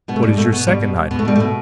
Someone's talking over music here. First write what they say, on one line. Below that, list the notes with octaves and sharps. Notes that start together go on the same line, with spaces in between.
"What is your second item?"
B2 B3
A3
B2 G3
B2 A3
B2 B3
B2 G3
B2
B2
B2 B3
A3
B2 G3
B2 A3